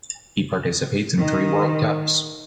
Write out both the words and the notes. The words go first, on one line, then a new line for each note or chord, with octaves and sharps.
He participates in three world cups.
D#3